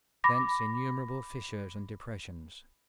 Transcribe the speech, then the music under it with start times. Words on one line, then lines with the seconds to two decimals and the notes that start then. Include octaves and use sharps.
Thence innumerable fissures and depressions.
0.24 B5 D6 A#6